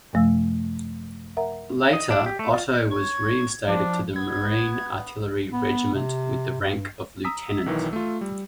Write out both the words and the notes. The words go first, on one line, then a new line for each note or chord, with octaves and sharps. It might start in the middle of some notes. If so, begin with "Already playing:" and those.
Later Otto was reinstated to the Marine Artillery Regiment with the rank of lieutenant.
F#2 C3 F3 A3 F5 E6
A#4 E5 F#5 A#5
D#5
D4
G4
A3
F4
C#5 G#6
F3 D4
B3 G#6
B3
C3
G2
A#5 D#6 E6 B6
B1 D#3 E3
A3 F4
G3